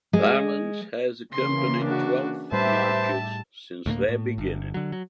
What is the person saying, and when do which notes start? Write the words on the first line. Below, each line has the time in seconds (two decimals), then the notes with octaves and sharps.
Violence has accompanied Twelfth marches since their beginning.
0.13 G#3
1.33 C#3 E3 A#3 C6
1.84 D4 F#4
2.52 A2 G3 G4 B4 C5 E5 A5
3.86 D2 A2 G3 A#3
4.09 A2
4.38 G1
4.74 D3 F#3
4.92 F#3